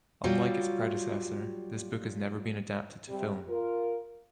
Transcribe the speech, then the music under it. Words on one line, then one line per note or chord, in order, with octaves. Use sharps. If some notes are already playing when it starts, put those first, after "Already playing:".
Unlike its predecessor, this book has never been adapted to film.
F#3 G3 F4
C3 G3
F4 A#4